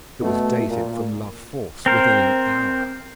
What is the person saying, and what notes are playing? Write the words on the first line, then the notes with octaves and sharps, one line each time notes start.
It was dated from La Force, within an hour.
B2 A3
A#2
C4 A#4 C5